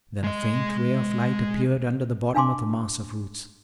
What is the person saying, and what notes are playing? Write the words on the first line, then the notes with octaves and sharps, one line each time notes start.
Then a faint ray of light appeared under the bottom of the mass of roots.
G#3 D#5
D4 F5 G#5 A5 C6 D6